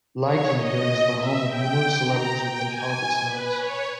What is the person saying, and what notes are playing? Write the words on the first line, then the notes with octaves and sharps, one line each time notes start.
Leikanger is the home of numerous celebrities within politics and arts.
C#5
D#5
E5
G5
A#5
G5
G#5
B4
C#5